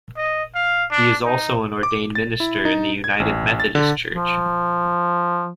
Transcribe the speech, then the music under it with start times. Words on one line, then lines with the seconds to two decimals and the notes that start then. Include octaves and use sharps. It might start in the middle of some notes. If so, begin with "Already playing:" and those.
He is also an ordained minister in the United Methodist Church.
0.17 D#5
0.55 F5
0.91 D4
1.25 D#4
1.83 D6
2.15 A6
2.40 E4
2.65 D#4
3.04 G#6
3.20 A1
3.60 A6
3.75 D3
4.13 F3